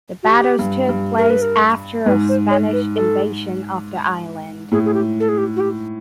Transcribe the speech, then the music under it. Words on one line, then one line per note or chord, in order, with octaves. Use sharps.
The battles took place after a Spanish invasion of the island.
F#4
G4
G2
G2
A#4
B4
A#4
G#2 B4
C5
C#5
B4
A4
A2 G#4
G#4
G4
A4
G#4
G4
F#4
G4